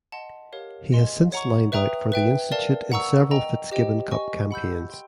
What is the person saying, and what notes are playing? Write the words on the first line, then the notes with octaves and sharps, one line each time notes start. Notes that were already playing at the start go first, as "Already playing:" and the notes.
He has since lined out for the institute in several Fitzgibbon Cup campaigns.
D#5 F#5 A5 C6
G4 A#4 C#5 F5
D#5 G#5 C6
C#5 F#5 A#5 C#6
B4 E5 G5 A#5 D#6
B4 E5 G5
A#4 D5 F5 A5
F#5 A#5 C#6 E6
D#5 G5 A#5
G4 C5 D#5 G5
D#5 G#5 C#6
F#5 B5 E6 G6
G5 C6